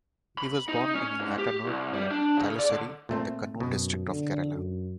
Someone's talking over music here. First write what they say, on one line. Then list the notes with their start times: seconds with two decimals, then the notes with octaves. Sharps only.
He was born in Mattanur, near Thalassery, in the Kannur district of Kerala.
0.38 B5
0.69 D#4
0.95 C#4
1.20 G#2
1.38 G4
1.66 C2
1.94 G3
2.11 D4
2.37 C#3
2.58 D5
2.70 D3
3.09 A#2 A3 C4
3.60 F#2 B2
4.07 D3
4.52 F#2